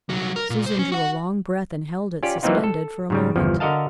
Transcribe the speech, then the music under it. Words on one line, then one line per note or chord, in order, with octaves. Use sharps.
Susan drew a long breath and held it suspended for a moment.
C2 F#3
A#4
A#2
B1 C5
C#4
F#4 F#5
C#4 F4 G4 D5
E3 F#3 A#3 C4 D#4 F4
A4
G#2 C#3 G3
G1 E2 F3
D3 F#4 A#4 D#5 F5 A5